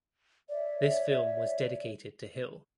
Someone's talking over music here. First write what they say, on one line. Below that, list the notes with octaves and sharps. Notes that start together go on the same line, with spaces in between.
This film was dedicated to Hill.
C#5 D5 E5